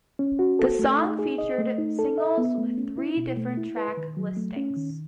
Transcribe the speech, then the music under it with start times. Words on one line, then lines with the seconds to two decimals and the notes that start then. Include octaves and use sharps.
The song featured singles with three different track listings.
0.19 C#4
0.39 F#4
0.59 A4
0.79 A3
0.99 D#4
1.19 G#4
1.38 D#5
1.58 A3
1.78 D#4
1.99 A4
2.18 E5
2.38 B3
2.58 A3
2.78 C#4
2.98 E4
3.17 B2
3.37 A3
3.57 E4
3.77 B4
3.97 D#3
4.17 F#3
4.37 A3
4.57 C#4
4.77 D#3